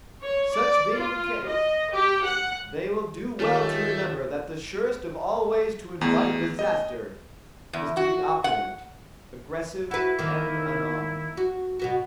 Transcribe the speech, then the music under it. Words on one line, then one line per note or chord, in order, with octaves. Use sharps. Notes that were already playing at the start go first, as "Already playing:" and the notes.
Such being the case, they will do well to remember that the surest of all ways to invite disaster is to be opulent, aggressive and unarmed.
C#5
D5
F4
D#5
G4
F#5
D#3 A3 C#4 F4 G4
E2 A3 B3 G#4
D#5
E2
F#4
F#5
E4 F#4 B4
D#3 A#3
F#4
B2 B3 F#4